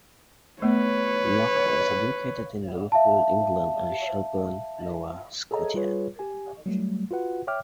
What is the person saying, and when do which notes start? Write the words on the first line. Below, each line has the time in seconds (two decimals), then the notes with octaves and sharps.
Locke was educated in Liverpool, England and Shelburne, Nova Scotia.
0.62 A3 B3 B4 C#5
2.92 E5 F5 A5
5.51 G#4 A4 C#5 D#5 A#5
5.74 G3 F4 G#4 B4 C#5
6.19 G4 G#5
6.66 F#3 G3 A3
7.11 F4 F#4 B4 F#5
7.47 C#5 E5 G5 D6 F6